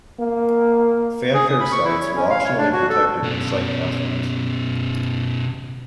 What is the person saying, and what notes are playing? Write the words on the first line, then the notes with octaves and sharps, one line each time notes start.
Phanfare sites were optionally protected with site passwords.
A#3
G#4
D#6
B5
C#6
E4
C#5
C#4
F5
C#5
D4
F#4
A4
B2 C#4